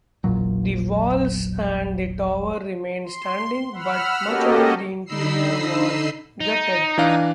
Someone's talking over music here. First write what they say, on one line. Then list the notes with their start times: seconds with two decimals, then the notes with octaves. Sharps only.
The walls and the tower remained standing but much of the interior was gutted.
0.24 E1 A#1 A#2 F#3
3.04 C6
3.71 F#5 B5 E6 F6
4.24 A#3 C#4 F#4 G4 A4 D#5
5.05 D3 D#4 D#5 B5 E6 C7
6.40 D#4
6.98 E3 D4 F5